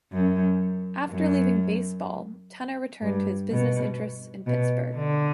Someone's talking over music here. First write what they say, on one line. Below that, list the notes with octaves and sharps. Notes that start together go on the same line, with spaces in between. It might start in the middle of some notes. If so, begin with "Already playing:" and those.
After leaving baseball, Tener returned to his business interests in Pittsburgh.
F#2
F#2
G2
B2
B2
D3